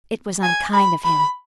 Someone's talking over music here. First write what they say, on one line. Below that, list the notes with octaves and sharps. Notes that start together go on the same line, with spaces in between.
It was unkind of him.
G#5
B5
B5